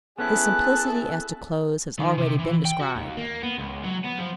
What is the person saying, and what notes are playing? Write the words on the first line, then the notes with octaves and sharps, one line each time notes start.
His simplicity as to clothes has already been described.
B3 C#4 E4 G#4 A4 F#6
D#3
C3
E3
G5
F#4
D#2
A#3
B3
C#2
F#3
B3
F3